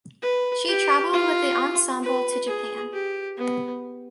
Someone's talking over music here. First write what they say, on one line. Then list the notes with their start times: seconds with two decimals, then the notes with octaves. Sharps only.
She travelled with the ensemble to Japan.
0.22 B4
0.68 G4
1.13 F4
2.03 B4
2.47 G#4
2.93 G4
3.38 B3